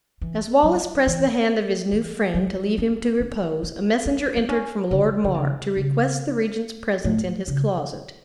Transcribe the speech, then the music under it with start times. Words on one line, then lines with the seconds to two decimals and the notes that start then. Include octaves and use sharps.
As Wallace pressed the hand of his new friend, to leave him to repose, a messenger entered from Lord Mar, to request the regent's presence in his closet.
0.21 E3
0.63 F#3
1.07 E3
1.92 E3
2.34 F#3
2.78 C#4
3.20 D4
3.63 E4
4.06 D4
4.37 B3
4.49 C#4
4.91 D3
5.24 D3
5.34 C#3
5.77 C#3
7.04 A2
7.48 C#3